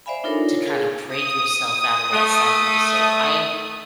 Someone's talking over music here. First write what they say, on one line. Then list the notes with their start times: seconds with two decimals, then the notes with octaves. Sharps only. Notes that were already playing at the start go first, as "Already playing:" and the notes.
To kinda break yourself out of that cycle to say, "I
0.06 C5 D5 E5 F5 G#5 B5
0.24 D4 D#4 F4 A4 A#4 C#5
0.67 G#4 F5
1.08 D#6
2.13 A3